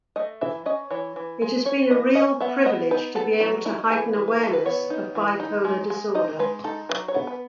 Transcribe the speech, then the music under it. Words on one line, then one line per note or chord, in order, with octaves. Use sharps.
It's been a real privilege to be able to heighten awareness of bipolar disorder.
A3 D#5
E3 E5
C#4 D#5
E3 C#5
E3
G#3
C#4 C#5
E3 D#5
C#4 D#5
B3 E5
B3 D#5
D#4 B4
B3 A4
F#3 E4
D#4 E4
E3 G#4
E3
B4
E3 A4
B4
B3 C#5
D#4
E3
D#4
G#3
G#3
D#4 D#5
G#3 B4
D#4 A4
F#3 B4
C#5
B3
B4